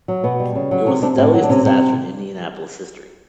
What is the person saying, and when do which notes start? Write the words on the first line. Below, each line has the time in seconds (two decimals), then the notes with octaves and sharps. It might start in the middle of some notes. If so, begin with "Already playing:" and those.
It was the deadliest disaster in Indianapolis history.
0.08 F#3
0.23 B2 B3
0.40 G3
0.55 C#3
0.71 F#3
0.86 C3 C#4
1.02 C3 D4
1.18 A2 C4
1.34 F#3
1.43 D4
1.49 C3 C#4
1.65 C3